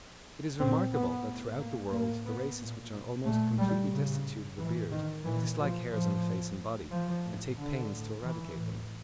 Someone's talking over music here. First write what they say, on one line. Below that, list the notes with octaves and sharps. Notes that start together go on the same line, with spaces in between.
It is remarkable that throughout the world the races which are almost completely destitute of a beard dislike hairs on the face and body, and take pains to eradicate them.
A#2 C4
B3
A2
A#3
A2 A#3
B3
A#2
A#2 A3
G3
A2 C#3
A2 E3
D#3
A#2 E3
F3
A2 F3
A2
F3
A2
D3
A2
E3
A2